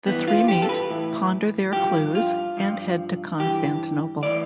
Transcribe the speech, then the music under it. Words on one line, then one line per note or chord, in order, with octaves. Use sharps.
The three meet, ponder their clues, and head to Constantinople.
G2 E3 B3
F4
G4
A4
B4
A2 E3
G2 F3 G4
F4
G2 F3
G2 E3 G4
A2 E3 D5